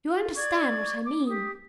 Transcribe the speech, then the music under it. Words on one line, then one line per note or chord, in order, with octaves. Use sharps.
You understand what I mean.
F4
D5 C#6 G#6
D6
G4 D#6